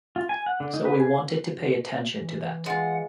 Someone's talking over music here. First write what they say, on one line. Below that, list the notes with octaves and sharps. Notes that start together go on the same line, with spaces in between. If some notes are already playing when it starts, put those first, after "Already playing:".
So we wanted to pay attention to that.
F4
G#5
F#5
D3
D#4
B4
G#4
E3
G#3 F4 F#5